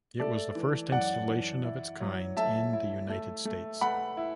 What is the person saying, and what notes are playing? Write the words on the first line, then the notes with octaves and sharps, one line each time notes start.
It was the first installation of its kind in the United States.
A3 A4 D5
E3
F#2 D5 F#5
E3
E4
F#3
A3 E5 A5
E4
A3
A3
A3 F#5 B5
E4